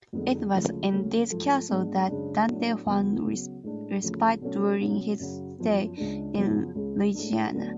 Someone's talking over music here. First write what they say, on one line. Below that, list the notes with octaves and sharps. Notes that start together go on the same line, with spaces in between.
It was in these castles that Dante found respite during his stay in Lunigiana.
F2 D3 G#3 B3
D2 C#3 F3 G#3
D2 C#3 F#3 C#4
G#2 F3 A3
G#2 G#3 B3 D4
F#2 C#3 G#3 D4
A2 F#3 B3 D4
C#2 C#3 F3 B3
C#3 F#3 B3
A2 G#3 D4
D2 C#3 F3
B2 F#3 A3 C#4
B2 F#3 C#4
F#2 C#3 F#3
F#2 F3 B3
C#2 C#3 G#3 D4
F#2 C#3 F3 B3
C#2 C#3 G#3
A2 G#3 D4
D2 D3 F#3 B3 D4